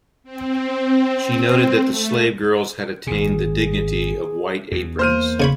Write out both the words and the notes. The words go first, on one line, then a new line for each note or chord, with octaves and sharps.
She noted that the slave girls had attained the dignity of white aprons.
C4
A3
G#1 A#2 G#4
E2
A#3 C5 F6 D#7
C#3 C#5 B5